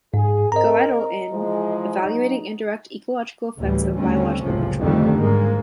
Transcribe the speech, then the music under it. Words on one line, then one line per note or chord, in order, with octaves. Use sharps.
Goettel in "Evaluating Indirect Ecological Effects of Biological Control".
G#2 G#4
C4 A#4 D#5 A#5
E3 F3 G#3
F#3 D#4
A1 D2 E3 G3
D#2 D3 G3 A3 C4 C#4
F#1 C#2 A2 C3 F3
F2 D3 D#3 G3 A3
G#2 G#3 A#3